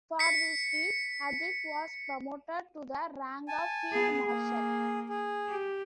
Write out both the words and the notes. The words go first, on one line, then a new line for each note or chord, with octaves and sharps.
For this feat, Hadik was promoted to the rank of Field Marshal.
B6 C#7
G#5 A5
B3 G#4
A#3 G#4
G#4
G4